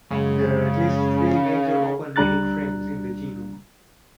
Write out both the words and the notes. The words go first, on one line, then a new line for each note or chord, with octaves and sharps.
There are at least three major open reading frames in the genome.
F#2 C#3 G#3
D2 G3 D4 A#5 F#6 A6